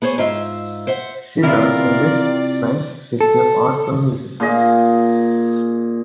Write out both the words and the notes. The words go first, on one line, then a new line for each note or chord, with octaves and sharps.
She learnt English, French, history of arts and music.
B3 G#4 C5 C#5
G#2 F4 E5
C5 E5 F#5
C3 E4 F4 A#4 D5
A4
A#2 G#4 D#5